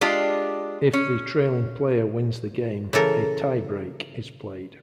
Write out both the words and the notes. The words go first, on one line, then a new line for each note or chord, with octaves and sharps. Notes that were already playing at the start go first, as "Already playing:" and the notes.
If the trailing player wins the game, a "tie-break" is played.
G#3 D4 F4 G4
C#4
C#3 E3 A4 A#4